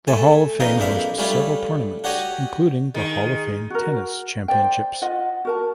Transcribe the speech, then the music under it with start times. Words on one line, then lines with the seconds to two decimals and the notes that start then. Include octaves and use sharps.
The Hall of Fame hosts several tournaments, including the Hall of Fame Tennis Championships.
0.07 A3 G#5 A5
0.60 F2 E3 D#4 D#5 F5
0.78 A#1 F2 D4 E5 F5
1.18 G3 A3 C#4 D4 E4 F4
2.04 D4 F#4 G4 C#5 D#5
2.94 D#3 G#3
3.70 F#4 A#4
4.48 C5 D5 G5
5.02 F4 D#5 F#5
5.45 F#4 A#4 A5